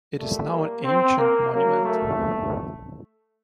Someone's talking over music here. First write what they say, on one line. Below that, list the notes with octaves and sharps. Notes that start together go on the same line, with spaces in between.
It is now an ancient monument.
A#2 G3 A3
A#3
C4
A#3
F#2 C#3 F#3 A#3
A3